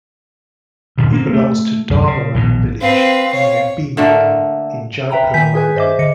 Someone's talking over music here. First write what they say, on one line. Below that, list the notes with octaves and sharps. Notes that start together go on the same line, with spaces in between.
He belongs to Dharmaram village near Bheemaram in Jaipur Mandal.
D2 A#2 D3
A#3 C4
A3
C2 F#2
C#3
A#1 B2 D#3
C4 B4 F5
C#5
D3 A3 A#3
B4 E5 G5 A#5 B5
D#3 G#5 G6 B6
G#4 B4 G#5
C5 D#5 E5 D6
D3 D#5 C#7